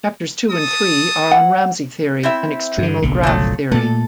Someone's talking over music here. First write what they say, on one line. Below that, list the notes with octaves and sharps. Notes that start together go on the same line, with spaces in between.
Chapters two and three are on Ramsey theory and extremal graph theory.
A4 D#6
F#5
C4 E4 E5
G2 D3
F#1 B1 D3
F3 F#3 A3
A#2 A3 A4